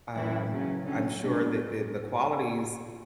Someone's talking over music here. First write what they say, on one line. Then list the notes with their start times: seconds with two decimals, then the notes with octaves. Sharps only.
um, I'm sure that that the qualities,
0.15 F#2 E3 A3 E4
0.51 C#3 F#3 C#4
0.85 D3 F#3 C#4
1.21 B2 G#3 D4